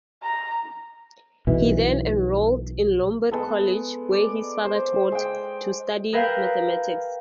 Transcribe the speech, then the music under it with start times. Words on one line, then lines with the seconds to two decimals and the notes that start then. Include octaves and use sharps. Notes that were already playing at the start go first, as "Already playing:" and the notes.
He then enrolled in Lombard College where his father taught, to study mathematics.
0.23 A#5
1.47 B1 B2 E3
3.31 G#3 B3 A4
4.12 D5
4.65 C5
5.12 G#3 G5
6.13 G#4 A#4 B4 E5 F5 G5